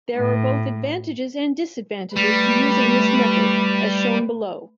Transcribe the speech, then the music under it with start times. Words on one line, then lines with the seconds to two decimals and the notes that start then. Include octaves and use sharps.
There are both advantages and disadvantages to using this method, as shown below.
0.15 A2
2.17 G3 A3 B4